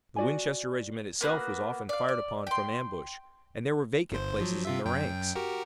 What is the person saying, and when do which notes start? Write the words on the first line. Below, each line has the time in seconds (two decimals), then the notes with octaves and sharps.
The Winchester regiment itself was often fired upon from ambush, and there were vacant places in the ranks.
0.16 F#4 D5 G#5
1.21 A#3 B3 D#4 F#4
1.89 D5 F5
2.09 D5
2.47 G5 C6
4.12 G1 C5
4.41 F3 F#3
4.65 C3 F4 E5
4.86 F#2 G5
5.35 F#4 G4 A#4